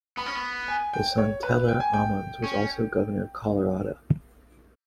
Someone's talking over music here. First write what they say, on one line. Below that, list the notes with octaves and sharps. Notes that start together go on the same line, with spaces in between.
His son Teller Ammons was also governor of Colorado.
B3 B5
C#4
B3
G#5
G5
C#5
B4
G5
G#5
G5
C#4